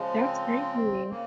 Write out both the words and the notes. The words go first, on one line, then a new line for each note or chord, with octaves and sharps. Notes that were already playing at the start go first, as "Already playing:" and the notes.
That's crazy.
Already playing: C#3 F3 G#3
C4
C#3 A#3